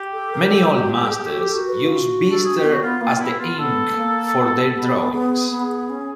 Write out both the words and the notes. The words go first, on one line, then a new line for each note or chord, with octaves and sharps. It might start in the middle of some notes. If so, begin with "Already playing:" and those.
Many Old Masters used bistre as the ink for their drawings.
Already playing: G4
A4
A#4
A4
F#4
F#4
F4
A4
G#4
F#4 A4
G4
F#4 A4
A#4
B4
F4
D4
A4
G#4
G4
B3
F#4
B3 F4
A#3 F4
B3 E4
B3 F4
B3 A4
B3
A#3
B3
B3
B3 G#4
B3
C#4